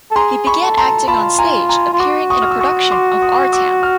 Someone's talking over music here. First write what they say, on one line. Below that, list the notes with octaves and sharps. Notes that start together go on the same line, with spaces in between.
He began acting on stage, appearing in a production of "Our Town".
A4
G#4 A#5 C6
B5 C#6
A4
A#5 C6
F4 A5 B5
G#5 A#5
G#5 A#5
F4
F#4 C6 D6
C#6 D#6
F6
E6
C#6 D#6
C6 D6
C#6 D#6
D6 E6
F6